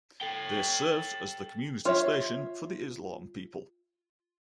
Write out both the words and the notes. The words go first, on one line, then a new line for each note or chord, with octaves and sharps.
This serves as the community station for the Islam people.
A4 G5
F4 C#5 E5